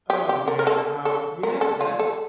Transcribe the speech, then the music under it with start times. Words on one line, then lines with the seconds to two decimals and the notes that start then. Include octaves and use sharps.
Oh, man. Um, yeah. That's
0.10 G4
0.29 G4
0.48 A#4
0.59 A#4
0.67 A4
1.05 A4
1.43 A#4
1.61 A4
1.81 F4
1.99 A4